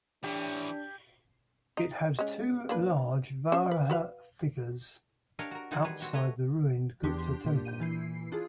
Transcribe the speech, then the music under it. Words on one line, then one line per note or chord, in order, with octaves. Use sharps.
It had two large Varaha figures outside the ruined Gupta temple.
E3 C#4 D4 G4
D#4
G#3 C#4
A#3 D4 B4
C#4 C5 E5
B4
F#4 B4 F5
D4 G4 A#4 C#5 D#5 F5
F#4 A#4
D#3 E3 F#3 C4 G#4 F#5
D#3 G3 G#4 B4
C4 F#4 G4
A3 B4 C#5 D#5
E2 D4 G4 C6
A#2
G6 D#7
E3 E4 C7
D4 F4 G#4